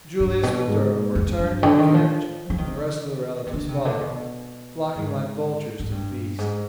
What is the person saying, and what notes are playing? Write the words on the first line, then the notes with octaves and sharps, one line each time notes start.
Julius with Durham returned in the carriage, and the rest of the relatives followed, flocking like vultures to the feast.
G2
B2
G#2
F2
G2
D3
D#3
F3
F3
D#3
C3
D3
C3
D3
B2
G#2
G#2
G2
G#2